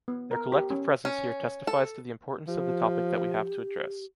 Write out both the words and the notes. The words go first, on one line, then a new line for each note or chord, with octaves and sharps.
Their collective presence here testifies to the importance of the topic that we have to address.
B3
A#4
G4
C#4
C#4
A4
F3 G4